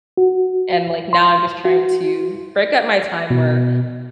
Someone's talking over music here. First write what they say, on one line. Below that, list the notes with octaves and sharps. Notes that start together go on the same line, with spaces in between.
and, like, now I'm just trying to break up my time where,
F#4
C6
F#4
B2